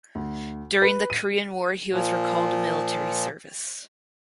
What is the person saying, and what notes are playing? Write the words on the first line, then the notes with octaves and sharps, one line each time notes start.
During the Korean War he was recalled to military service.
D2
B4
D#7
A#2 F3